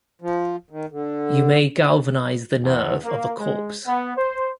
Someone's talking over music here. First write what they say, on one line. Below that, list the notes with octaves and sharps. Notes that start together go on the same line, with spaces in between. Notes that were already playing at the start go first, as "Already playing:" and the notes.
You may galvanize the nerve of a corpse.
F3
D#3
D3
E2
A#3
G#3
B3
C5